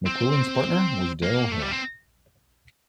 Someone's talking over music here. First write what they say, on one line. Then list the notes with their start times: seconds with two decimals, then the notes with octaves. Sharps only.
McQuillan's partner was Darrell Hair.
0.06 C4
1.22 A#3
1.52 A3
1.62 G3
1.71 C4